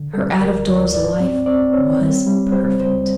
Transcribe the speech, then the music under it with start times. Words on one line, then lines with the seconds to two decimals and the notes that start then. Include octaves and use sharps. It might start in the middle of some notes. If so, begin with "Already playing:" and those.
Her out-of-doors life was perfect.
Already playing: D3
0.14 G3 A4
0.41 D2 A#4
0.67 D2 D5
0.94 G#2 D5
1.20 C4
1.46 C4 D5
1.73 C4 C#5
2.00 G3
2.27 G3
2.52 G3 C5
2.79 C#2 C5